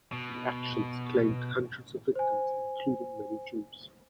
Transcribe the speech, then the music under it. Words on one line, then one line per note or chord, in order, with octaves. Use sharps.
The actions claimed hundreds of victims, including many Jews.
B2
C5 G#5